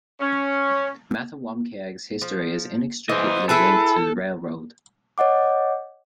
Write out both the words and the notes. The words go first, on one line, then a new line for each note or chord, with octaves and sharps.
Mattawamkeag's history is inextricably linked to the railroad.
C#4
F3
E3 C5 D#5
E4 G#4 A4 B4
C#5 D#5 F#5 D6